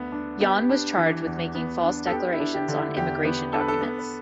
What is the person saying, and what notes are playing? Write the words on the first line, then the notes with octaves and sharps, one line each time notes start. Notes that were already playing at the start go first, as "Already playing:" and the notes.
Yan was charged with making false declarations on immigration documents.
Already playing: D2 D3 B3
D4
B3 G4
D4
E3
E2
B3
D4
A4
B3 G4
E4
D4
G4
D3
E4
E2 G4
B3 B4
D4 A4
B4
A4
B3 A4
B4